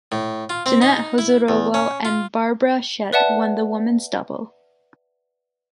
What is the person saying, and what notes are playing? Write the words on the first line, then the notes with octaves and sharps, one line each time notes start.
Janette Husárová and Barbara Schett won the women’s double.
A2
F4
C4
D#4
E4
E2
C#4
F4
B4 D5 E5 F#5 A5